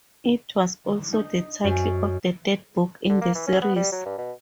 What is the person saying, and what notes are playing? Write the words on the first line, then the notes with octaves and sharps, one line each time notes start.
It was also the title of the third book in the series.
D#4
F#2
D3
A#3
E3
C#4
B3
G3
F#3
G2
B2